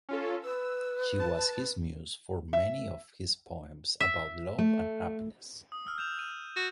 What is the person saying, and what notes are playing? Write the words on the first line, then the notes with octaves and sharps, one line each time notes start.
She was his muse for many of his poems about love and happiness.
C#4 F4 A4
B4 E6
A5
E5
E5
A3
D#6
E6 F6
G6 E7 F7
D#7
F#4